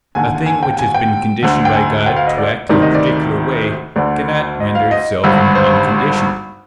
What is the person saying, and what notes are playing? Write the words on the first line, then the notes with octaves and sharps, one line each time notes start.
A thing, which has been conditioned by God to act in a particular way, cannot render itself unconditioned.
D#2 D3 G#5
G#5
G5
G#5
G5
D2 D3
G5
G#5
G5
F5
D#5
D5
D2 C3 D#3 D5
D#5
D5
D2 D3 D5
D#5
F5
D#5
G#1 G2 D3
C5